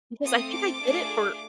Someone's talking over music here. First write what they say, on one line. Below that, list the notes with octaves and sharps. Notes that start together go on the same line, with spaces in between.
Because I think I did it for
A3 C4 F4 A4 D#6
D6
A3 D4 F4 G#4